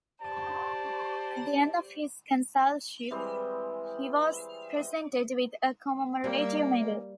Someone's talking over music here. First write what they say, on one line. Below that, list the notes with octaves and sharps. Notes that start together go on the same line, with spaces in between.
At the end of his consulship, he was presented with a commemorative medal.
G4 C5 D5 A5
E3 G3 G#3 C4
G3 A#3